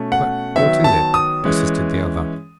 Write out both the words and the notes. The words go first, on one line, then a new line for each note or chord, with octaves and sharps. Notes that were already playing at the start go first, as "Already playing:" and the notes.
'But what is it?' persisted the other.
Already playing: B2 A3 C#4
F#5
D#3 F#3 B3 E5
A5
D#6
E3 G#3 C#4